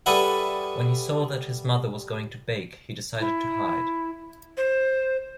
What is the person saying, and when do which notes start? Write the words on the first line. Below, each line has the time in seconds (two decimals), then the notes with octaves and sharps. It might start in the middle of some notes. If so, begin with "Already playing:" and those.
When he saw that his mother was going to bake, he decided to hide.
0.06 G3 G#4 A4 B4 E5 F#5
3.20 E4
4.57 C5